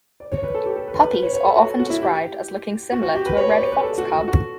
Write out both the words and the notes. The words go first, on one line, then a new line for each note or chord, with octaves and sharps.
Puppies are often described as looking similar to a red fox cub.
D5
C#5
B4
A4
G4
A4
B4
B4
B4
C#5
C#5
A4
F#4
F#4
E4
G4
F#4
F#4
G4
B4
C#5
D5
C#5
B4
A4
F#4
F#4
F#4